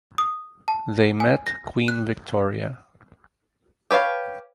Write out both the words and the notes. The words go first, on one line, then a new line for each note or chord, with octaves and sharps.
They met Queen Victoria.
D#6
A5
G#5
A#6
F#6
G4 B4 C#5 F5 A5